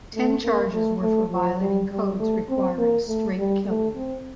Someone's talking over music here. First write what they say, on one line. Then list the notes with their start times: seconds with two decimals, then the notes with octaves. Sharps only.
Ten charges were for violating codes requiring straight killing.
0.15 A3
0.44 A#3
0.73 A3
1.02 A3
1.31 F3
1.61 G3
1.91 G3
2.20 A3
2.49 C4
2.78 A#3
3.08 A3
3.38 G3
3.67 A3
3.96 C4